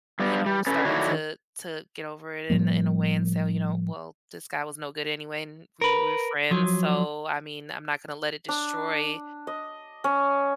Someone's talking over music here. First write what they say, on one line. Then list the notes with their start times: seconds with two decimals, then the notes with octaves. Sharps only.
you know, started to to get over it in a in a way and say, "Oh, you know, well, this guy was no good anyway, and we were we were friends. So, I mean, I'm not gonna let it destroy
0.20 G2 G3 B3
0.46 G3
0.67 C#4 A4 B4
0.85 D3 D#3 D4 E4 F#4 C#5
2.50 A2 F3 G3 A#3
5.81 A#4 B4
6.51 F3 F#3
8.48 D4
9.47 D#5
10.04 C#4